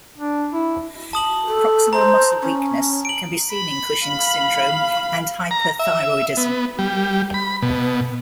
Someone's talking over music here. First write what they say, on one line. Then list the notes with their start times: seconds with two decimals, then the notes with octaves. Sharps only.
Proximal muscle weakness can be seen in Cushing's syndrome and hyperthyroidism.
0.17 D4
0.53 E4
1.13 A5 D#6 F#7
1.48 A4
1.93 C5 A#5
2.42 C#4
3.05 D7 F#7
3.52 B5
4.06 F5
5.51 A#5
5.79 E5
6.37 B3
6.79 G3
7.34 B5
7.62 B2